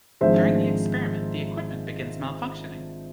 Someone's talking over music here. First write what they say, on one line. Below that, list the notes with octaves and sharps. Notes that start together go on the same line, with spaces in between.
During the experiment the equipment begins malfunctioning.
G#1 G#2 F3 G#3 D4 C5 E5